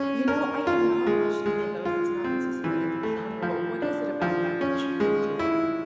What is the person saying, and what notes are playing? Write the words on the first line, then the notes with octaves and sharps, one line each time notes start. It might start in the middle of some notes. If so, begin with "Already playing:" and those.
You know, I have not watched any of those. It's not necessarily my genre, but what is it about that that you enjoy?
Already playing: C#4
A#4
F4
G#3
G#3
F4
C4
E3
A3
F3
D4
F3
C#4
G#3
E4